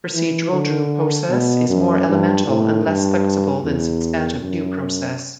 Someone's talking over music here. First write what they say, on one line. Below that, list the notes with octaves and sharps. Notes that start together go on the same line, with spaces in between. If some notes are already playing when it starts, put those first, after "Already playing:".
Procedural due process is more elemental and less flexible than substantive due process.
E3
D3
B2
F#2
G2
A2
G2
E2
F#2